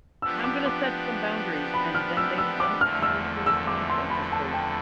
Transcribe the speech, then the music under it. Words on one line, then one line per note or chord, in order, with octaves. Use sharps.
"I'm gonna set some boundaries," and then they don't follow through with the enforcement. So,
F3 B3 D4 G4 E6
D6
D6
B5
F6
E6
E6
D6
E2 D3 F3 A3 F6
E6
E6
D6
C6
B5
A5
G5